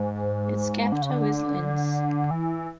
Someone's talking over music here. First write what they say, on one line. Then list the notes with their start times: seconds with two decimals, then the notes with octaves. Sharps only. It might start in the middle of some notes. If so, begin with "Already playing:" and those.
Its capital is Linz.
Already playing: G#2
0.92 D3
1.02 C#3
1.10 D3
2.31 E3